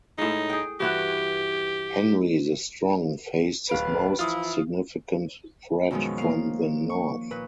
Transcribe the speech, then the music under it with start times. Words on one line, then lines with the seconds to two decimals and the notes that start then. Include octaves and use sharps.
Henry the Strong faced his most significant threat from the north.
0.18 A2 G#3 D#4
0.49 G#4 G5
0.80 G2 E3 F#4 G4
3.69 D1 B4 F5 D7
4.19 E3 F3 E4 F4 D#6
5.91 F#2 B2 D#3 F3 F#3 G#3
6.18 A#3 F5
6.90 C#6
7.31 A#2 B4